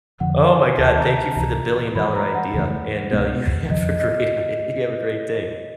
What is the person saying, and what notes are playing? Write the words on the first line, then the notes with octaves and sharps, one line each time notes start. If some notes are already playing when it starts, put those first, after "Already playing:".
Oh my god. Thank you for the billion-dollar idea, and, uh, you have a great day you have a great day.
F2 D3 F3 F#5
G#5
D2 C3 D#3 A5
A#5
A5
C#2 C3 E3 A#5
G#2 E3 G#3 B5
A#5
F#5
D#2 C#3 E3 A3
C#2 B2 G#3 B3
F2 C#3 F3 D#5
D#5